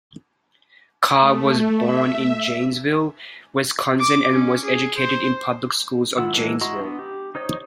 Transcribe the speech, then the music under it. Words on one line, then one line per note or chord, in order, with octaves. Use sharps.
Carr was born in Janesville, Wisconsin and was educated in public schools of Janesville.
A3
E5
D6
C#4
G#4
C5
D#3 E4 F4 F#5 E6
E3 G#3 D#4 A4
E4 F#4 D#5 A#5 C6
B3 D4
G4
D#4 C5 C#5 D#5